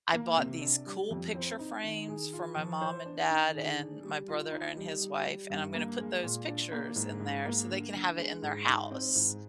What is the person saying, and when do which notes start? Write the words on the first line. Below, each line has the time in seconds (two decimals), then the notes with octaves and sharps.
I bought these cool picture frames for my mom and dad, and my brother and his wife, and I'm gonna put those pictures in there so they can have it in their house.
0.13 A#3
0.37 C3
0.61 D4
0.86 G3
1.10 F2
1.35 C4
1.59 D#4
1.84 D#3
2.08 G#4
2.33 F4
2.56 F3
2.81 C5
3.05 D4
3.30 D#3
3.54 G#4
3.78 D4
4.03 G3
4.28 F4
4.51 D#4
4.77 G3
5.01 G3
5.25 G3
5.50 G2
5.74 A#3
5.98 G#3
6.23 A#2
6.47 D4
6.72 A#3
6.96 G#2
7.20 G#2
7.45 A#3
7.69 D3
7.94 D3
8.17 G#3
8.42 G#2
8.67 D#4
8.91 C4
9.15 G#2